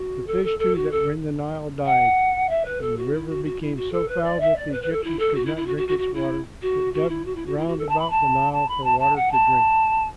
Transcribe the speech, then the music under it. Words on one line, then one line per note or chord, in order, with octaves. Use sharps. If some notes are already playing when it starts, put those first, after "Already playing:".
The fish, too, that were in the Nile died, and the river became so foul that the Egyptians could not drink its water, but dug round about the Nile for water to drink.
Already playing: F#4
A4
A4
A4
F#4
A4
F#5
E5
B4
A4
F#4
E4
F#4
F#4
E4
F#4
A4
B4
D5
E5
D5
B4
B4
A4
E4
A4
F#4
E4
E4
F#4
F#4
F#4
F#4
E4
F#4
F#4
E4
F#4
E4
F#4
E4
F#4
A4
A5
B5
A5
A5
B5
A5
A5
F#5
A5